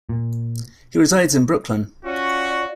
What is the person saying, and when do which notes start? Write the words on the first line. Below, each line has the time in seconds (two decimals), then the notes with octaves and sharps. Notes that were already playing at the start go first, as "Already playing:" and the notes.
He resides in Brooklyn.
0.09 A#2
2.05 C#4 F4 F#4 D5